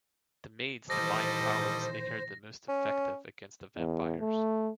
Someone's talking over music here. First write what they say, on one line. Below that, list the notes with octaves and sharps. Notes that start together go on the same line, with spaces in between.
The Maid's divine powers make her the most effective against the vampires.
A#2 D#3 E3 G3 A4 C5 D#5 A#6
C#4
E2
A3